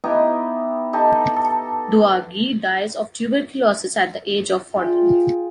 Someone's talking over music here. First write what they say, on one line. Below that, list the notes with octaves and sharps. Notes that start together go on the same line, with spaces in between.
Douagi dies of tuberculosis at the age of forty.
B3 D#4 E4 G4
D#4 G4 A4
A4
F4 G#4 G5